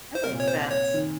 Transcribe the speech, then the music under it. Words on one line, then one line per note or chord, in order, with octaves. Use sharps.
That makes sense.
C5
C3 A#4
A#2
C3 C#5
C5
C#5
D#3